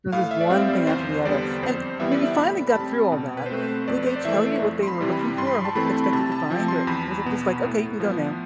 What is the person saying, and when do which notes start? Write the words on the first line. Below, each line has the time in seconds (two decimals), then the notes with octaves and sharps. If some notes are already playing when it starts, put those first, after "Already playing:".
This is one thing after the other, and when you finally got through all that, did they tell you what they were looking for? Or hope expected to find? Or was it just like, "Okay, you can go now?"
0.12 A2 F5
0.31 E5
0.41 D5
0.50 G3 C4 C5
0.69 D5
0.87 E2 C5
1.25 D3 G3 B3 D5
1.63 F2 C5
2.00 E3 G3 B3 E5
2.12 D5
2.22 E5
2.38 A2 B5
2.70 B5
2.75 G3 C4 A5
3.12 B2
3.37 B4
3.46 C5
3.50 A3 C4 B4
3.63 C5
3.88 F2 D5
3.97 B4
4.06 C5
4.16 D5
4.25 E3 A3 E5
4.62 F2
4.83 C6
4.88 B5
5.01 C3 E3 G3
5.12 B5
5.38 G2 C6
5.47 B5
5.55 C6
5.65 A5
5.75 E3 A3 C4 B5
6.04 B5
6.13 C3 A5
6.32 A5
6.50 F3 C4
6.68 C6
6.87 E2 B5
7.25 B2 B3
7.63 A2
8.00 F3 B3